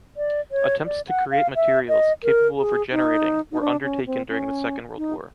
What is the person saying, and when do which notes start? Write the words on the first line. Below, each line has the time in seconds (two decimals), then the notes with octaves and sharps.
Attempts to create materials,capable of regenerating, were undertaken during the Second World War.
0.17 D5
0.51 C#5
0.85 D5
1.08 F#5
1.31 F5
1.55 E5
1.88 D#5
2.24 A#4
2.58 G#4
2.92 D#4
3.52 D#4
3.61 D4
3.83 C#4
4.06 C4
4.29 C#4
4.97 D#4